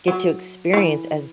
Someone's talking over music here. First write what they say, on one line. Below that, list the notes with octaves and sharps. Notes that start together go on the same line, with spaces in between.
get to experience as
F#3
E3